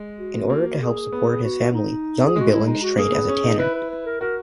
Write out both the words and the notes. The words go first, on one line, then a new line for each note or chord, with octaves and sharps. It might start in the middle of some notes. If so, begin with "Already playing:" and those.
In order to help support his family, young Billings trained as a tanner.
Already playing: G#3
F#4
A#3
G#4
B3
F#4
D#4
G#4
G#3 F#4
E4
D#4
F#4
A#3 G#4
B3
C#4
D#4
E4 B4
B4
B4
A#4
F#4 A#4